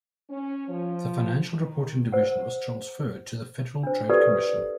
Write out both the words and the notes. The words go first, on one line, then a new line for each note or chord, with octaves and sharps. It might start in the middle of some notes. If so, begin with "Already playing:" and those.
The Financial Reporting Division was transferred to the Federal Trade Commission.
C#4
F3
D#3
C5 F#5
D4 C5
G4 A4 B4 D5 E5